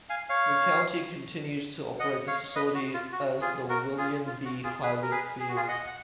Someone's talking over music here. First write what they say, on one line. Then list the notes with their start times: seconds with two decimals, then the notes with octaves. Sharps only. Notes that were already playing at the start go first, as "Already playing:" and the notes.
The county continues to operate the facility as the William B. Heilig Field.
0.10 F5 G#5
0.29 C#5 F5
1.99 D#5 F#5
2.28 C#5 F5
2.55 B4 D#5
2.74 F#4
2.94 F4
3.12 F#4
3.41 F4 G#4
3.69 F#4 A#4
3.98 F4 G#4
4.26 F4
4.45 F#4
4.64 F4 G#4
4.82 G#4 B4
5.03 A#4
5.11 G#4 B4
5.40 G#4
5.49 F#4
5.56 F4 G#4
5.69 D#5 F#5
5.87 F#5